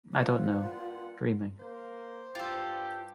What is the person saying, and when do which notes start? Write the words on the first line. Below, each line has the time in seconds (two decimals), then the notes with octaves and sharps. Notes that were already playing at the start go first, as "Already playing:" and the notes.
I don’t know. Dreaming.
0.13 F4 C5 F#5
0.60 G2 A#2 F#5
1.60 A#3 C5
2.35 G2 F4 G4 A4